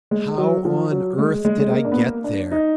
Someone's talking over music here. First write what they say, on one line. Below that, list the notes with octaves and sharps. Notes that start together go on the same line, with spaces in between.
How on earth did I get there?
G#3
F#3
F3
F#3
G#3
G#3
G#3
A#3
D4
B3
A#3
D4
D#4